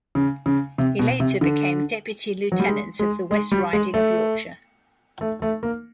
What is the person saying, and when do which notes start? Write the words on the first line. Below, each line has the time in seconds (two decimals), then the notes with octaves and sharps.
He later became deputy-lieutenant of the West Riding of Yorkshire.
0.15 C#3
0.46 C#3
0.78 C3
0.99 B2
1.20 C3
1.41 D3
2.52 F#3
2.60 G3
2.68 G#3
2.99 G#3
3.31 G#3
3.52 G3
3.73 G#3
3.94 A3
5.21 A3
5.42 A3
5.63 A#3